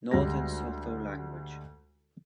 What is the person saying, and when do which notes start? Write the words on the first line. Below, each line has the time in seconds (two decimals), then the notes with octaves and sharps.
Northern Sotho language.
0.11 D2 G3 G#3 A#6